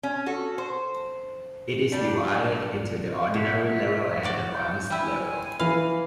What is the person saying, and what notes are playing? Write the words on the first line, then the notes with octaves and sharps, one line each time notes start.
It is divided into the Ordinary level and Advanced level.
C#4
F#4 A4
C5
G3 D4
B2 E5
A2 F#4 D5
G6
G3 E4 G#5
E3 F5 B5